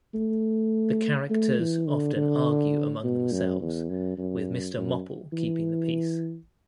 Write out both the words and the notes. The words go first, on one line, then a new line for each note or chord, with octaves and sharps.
The characters often argue among themselves, with Mr Mopple keeping the peace.
A3
A3
E3
D3
D3
B2
F#2
E2
F#2
F#2
F#2
E3